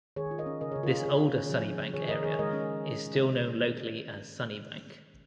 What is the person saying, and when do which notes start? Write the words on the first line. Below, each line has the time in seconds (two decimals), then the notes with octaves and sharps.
This older Sunnybank area is still known locally as Sunnybank.
0.16 D#3 G#4 C#5
0.31 F4
0.38 A#4 D#5
0.46 C#4
0.61 C#3 A#4 D#5
0.72 G#4 C#5
0.76 C#3
0.83 F4 A#4
0.90 C#3 G#4 C#5
1.05 C#3 G#4 C#5
1.20 C#3
1.35 C#4
1.49 F3 G#4
1.65 F3
1.80 C#3
1.94 D#3 G#4 C#5
2.09 D#3 A#4 D#5
2.24 D#3 G#4 C#5
2.39 G#3 A#4 D#5
2.53 C#4